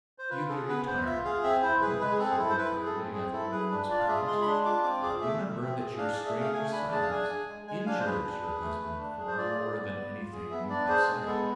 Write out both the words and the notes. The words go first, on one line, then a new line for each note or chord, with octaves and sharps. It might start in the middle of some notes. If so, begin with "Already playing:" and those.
"You may retire, my good woman," said he kindly, after a moment's pause, "but remember that your strange silence injures your husband far more than anything you could say."
C5
F4 B4
G#4 A4
B3 B4
B3 C5
F4 E5
G#4 F5
C4 E5
E4 C5
G#4 B4
G#3 B4
G#4
C4 A4
G#4
E4 A4
C5
E4 B4
G#4
A4
C4
C4 G#4
E4 A4
G#4 B4
D4 B4
F4 D5
F5
G#4 E5
G#3 C6
B5
D4 C6
F4 D6
C4 D6
G#4 D6
A3 E5
A3
C4
G#4
D4 F5
G#4 D5
E5
A3 F5
A3 G#5
D4 B5
G#4 A5
F5
D4 G#5
G#4
G#3
G#3 G#5
D4 F5
C5
G#4 B4
D4
G#4
A3
A3
D4
G#4
C5
F4 D5
G#4
B3
B3
F4
G#4
B3 E5
D4 D5
B4
G#4 C5
G#3
B3 A4